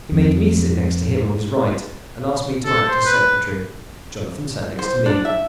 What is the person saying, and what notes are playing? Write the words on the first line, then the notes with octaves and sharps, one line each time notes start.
He made me sit next to him on his right, and asked me to act as secretary; Jonathan sat next to me.
F2
A4
C5
B4
C5
D4
E5